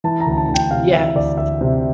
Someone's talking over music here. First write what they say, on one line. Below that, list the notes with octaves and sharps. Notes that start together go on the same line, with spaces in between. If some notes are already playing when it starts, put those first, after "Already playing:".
Mm. Yes.
E3 A5
A#5
D2
A#5
A5
D2
G5
C3 F5
E3 E5
D2 D5
D2 E5
C3